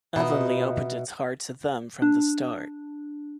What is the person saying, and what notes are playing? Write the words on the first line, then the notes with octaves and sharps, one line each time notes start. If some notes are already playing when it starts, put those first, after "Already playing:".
Avonlea opened its heart to them from the start.
B2 B3 D#4 F4 B4 D#5 E5
D4